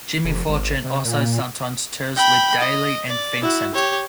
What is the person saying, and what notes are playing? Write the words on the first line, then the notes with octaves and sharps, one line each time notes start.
Jimmy Fortune also sometimes tours with Dailey and Vincent.
F1
G#1
C3
A#2
G5 B5
D#5
D5
E4 F#4
G4 C#5